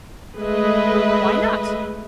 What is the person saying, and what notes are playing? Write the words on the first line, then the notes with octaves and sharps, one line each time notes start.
"Why not?"
G#3 A3 B4 D#5 E5